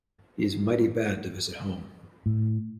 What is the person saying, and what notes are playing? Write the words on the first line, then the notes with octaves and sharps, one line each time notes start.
He's mighty bad to visit home.
A2